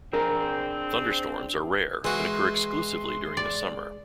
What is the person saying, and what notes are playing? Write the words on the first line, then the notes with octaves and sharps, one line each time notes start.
Thunderstorms are rare and occur exclusively during the summer.
C4 D4 G#4 A#4
E3 G#3 F#4 C6
D5